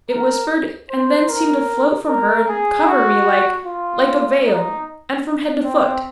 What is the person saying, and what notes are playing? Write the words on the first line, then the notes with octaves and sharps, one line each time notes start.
It whispered and then seemed to float from her and cover me like--like a veil, and from head to foot.
A#4
C5
A#4
A#4
G#4
F#4
F4
D#4
C4